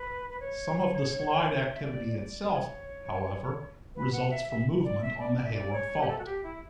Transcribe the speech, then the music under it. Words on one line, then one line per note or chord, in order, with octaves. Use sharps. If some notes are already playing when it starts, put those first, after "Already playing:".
Some of the slide activity itself, however, results from movement on the Hayward Fault.
Already playing: B4
B4
C#5
E5
D5
C#5
D5
C#5
B4
F#5
E5
E5
D5
E5
D5
D5
E5
D5
C#5
G4
A4
F#4
G4
E4